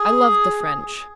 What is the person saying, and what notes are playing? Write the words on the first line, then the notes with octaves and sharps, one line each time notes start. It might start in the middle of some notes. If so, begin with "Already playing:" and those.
I loved the French.
Already playing: G#4